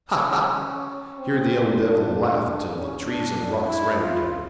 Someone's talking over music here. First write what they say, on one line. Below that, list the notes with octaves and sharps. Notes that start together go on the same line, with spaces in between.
Ha, ha!'--here the young devil laughed till the trees and rocks rang again.
C#4
C4
D4
D4
C#4
D4
E4
F4